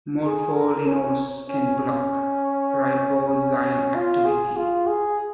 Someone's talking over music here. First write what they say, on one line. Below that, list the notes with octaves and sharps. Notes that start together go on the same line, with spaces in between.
Morpholinos can block ribozyme activity.
G#4
A#4
C#4
C#4
C#4
F4
G#4
F4
G#4